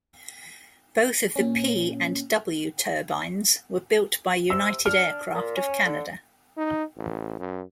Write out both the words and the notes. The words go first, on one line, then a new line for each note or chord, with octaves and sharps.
Both of the P and W turbines were built by United Aircraft of Canada.
A#2 C#4
C3 E6
D4 F6
A#2
C#4
D3
D#4
A1
F#2